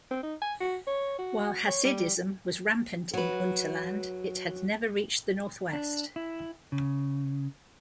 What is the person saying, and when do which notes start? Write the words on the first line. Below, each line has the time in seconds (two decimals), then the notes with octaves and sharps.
While hasidism was rampant in Unterland, it had never reached the northwest.
0.11 C4
0.23 D#4
0.42 G#5
0.61 F#4
0.87 C#5
1.19 F#4
1.67 C#5
1.85 G3
3.14 F#3 B4
5.73 D4
6.16 E4
6.72 C#3